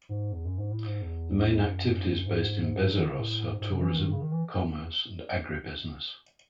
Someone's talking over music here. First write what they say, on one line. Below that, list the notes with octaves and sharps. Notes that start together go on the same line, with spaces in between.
The main activities based in "Bezerros" are tourism, commerce and agribusiness.
G#2
E2
F#2
G#2
A2
G#2
E2
F#2
G#2
F#3
D#3
C#3
A2
G#2
G#2
C3
E3
D#3
C#3
D#3
E3